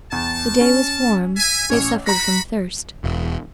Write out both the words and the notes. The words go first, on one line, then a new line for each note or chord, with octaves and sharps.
The day was warm; they suffered from thirst.
E2 A5
C#4
E5 G#5
A1 C#4 C#5
F#4 A#5 B5 A#6
E1